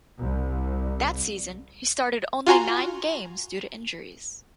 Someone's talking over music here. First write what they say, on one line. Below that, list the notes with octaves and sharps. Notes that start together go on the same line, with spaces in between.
That season, he started only nine games due to injuries.
C2
F4 F#4 G#5 A#5 C6